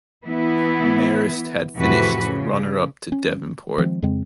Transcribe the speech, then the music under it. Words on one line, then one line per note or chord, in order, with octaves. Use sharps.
Marist had finished runner up to Devonport.
E3 B3 E4
F2 A2 C3 E3 F#4 B4
C#3
C#4
D#3 F3 G#3 C4
F2 C#3 G#3 C4